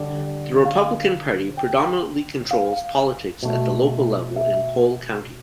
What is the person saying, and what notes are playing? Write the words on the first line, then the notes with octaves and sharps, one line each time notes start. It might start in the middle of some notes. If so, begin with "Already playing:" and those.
The Republican Party predominantly controls politics at the local level in Cole County.
Already playing: D3 G3 D5
F5
G5
F5
B2 A3
E5